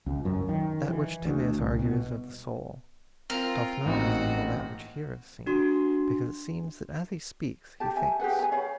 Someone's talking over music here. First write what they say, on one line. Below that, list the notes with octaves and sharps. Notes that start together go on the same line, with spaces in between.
That which Timaeus argues of the soul Doth not resemble that which here is seen, Because it seems that as he speaks he thinks.
C#2
F#2
D#3
E3
D2
C2
B2
C4 F4 A#4
A1 G2 A#2 C4 D#4 F#4
D4 F#4 C6
G4 A5
E5 G#5
G4 G#4 B4 F#5
G#5 A#5
C#5 F5 B5